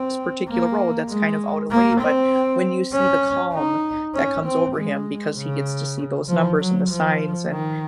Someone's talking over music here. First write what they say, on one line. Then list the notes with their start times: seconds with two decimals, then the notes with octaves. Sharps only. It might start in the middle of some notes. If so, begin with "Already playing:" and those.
particular road that's kind of out of the way but when you see the calm that comes over him because he gets to see those numbers and the signs, and
Already playing: C4
0.49 A#3
1.09 G#3
1.71 A#3
2.01 C4
2.93 C#4
3.53 D#4
4.14 C#4
4.45 C4
4.76 G#3
5.37 C#3
6.29 F3
6.58 F#3
6.90 F3
7.51 D#3